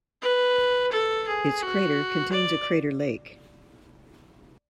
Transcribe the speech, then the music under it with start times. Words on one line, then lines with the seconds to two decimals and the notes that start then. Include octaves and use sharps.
Its crater contains a crater lake.
0.22 B4
0.92 A4
1.27 G#4
1.62 F#4
2.32 D5